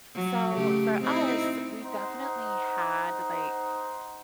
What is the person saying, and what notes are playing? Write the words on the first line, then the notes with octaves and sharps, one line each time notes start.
So for us, we definitely had, like,
F#3
C#3 A3 G4
C4 D#4 E4
D#4 C5 F#5